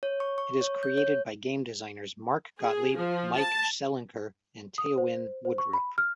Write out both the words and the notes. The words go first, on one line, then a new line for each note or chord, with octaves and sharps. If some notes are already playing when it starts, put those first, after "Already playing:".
It is created by game designers Mark Gottlieb, Mike Selinker, and Teeuwynn Woodruff.
C#5
C#6
C#6
C#5
G6
C#5
G#4
F3
A5
D#6
C5
C5
C#6
B5
F6